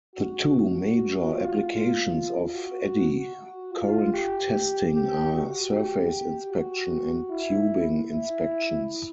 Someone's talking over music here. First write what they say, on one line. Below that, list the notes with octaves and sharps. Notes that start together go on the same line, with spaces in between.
The two major applications of eddy current testing are surface inspection and tubing inspections.
F#4
F#4
F4
F4
F#4
F#4
F4
G4
G4
F#4
G4
F#4
E4
E4